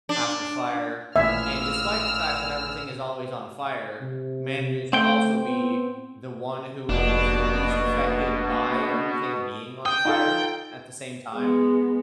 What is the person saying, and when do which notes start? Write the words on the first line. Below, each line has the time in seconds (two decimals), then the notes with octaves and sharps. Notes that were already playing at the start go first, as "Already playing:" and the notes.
after fire, and despite the fact that everything is always on fire, manages to also be the one who is the least affected by everything being on fire at the same time.
0.09 D4
1.16 A1 A#2 E5 E6 F6 G#6
4.01 C3
4.59 C3
4.93 A3 C4 G5
5.46 B3
6.89 F1 B2 A#3 D4
9.86 G5 D#6
10.05 D#4 F4 A4
11.34 G#3 B3